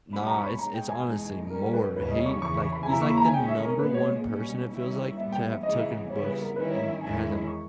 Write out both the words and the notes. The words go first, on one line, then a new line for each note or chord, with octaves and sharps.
Nah, it's it's honestly more he like, he's, like, the number one person it feels like to have taken books and had them,
B2 G3 C#4 E4 B5
A#5
C#6
B5
B2 G#3 D#4 A#5
G5
G#5
E2 B2 G#3 D#4
B2 G3 C#4 A#4
B4
D#2 C#3 G3 C#4 E4 B4
D#5
C#6
E2 C#3 E3 C#6
C#6
B5
G#5
C#3 E3 A#3 E4 A#5
C#6
B5
A#5
G#5
D#3 G#3 C#4 G5
E5
A#4
A#2 G#3 B3 B4
C#5
B2 G3 C#4
D#3 G3 C#4 E4
A#2 G3 B3 E5
G5
E5
C#3 E3 G#3 B3 D#4 D#5
E5
C#3 G3 B3 E4 C#5
B4
A#4
D#3 G3 C#4 E4 B4
C#5
E5
E2 D#3 G#3 C#4 E4 G#5
B5
C#6